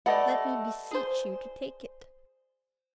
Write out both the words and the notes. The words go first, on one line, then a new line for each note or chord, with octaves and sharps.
"Let me beseech you to take it."
G3 A3 B3 D5 D#5 F#5
G#4 C5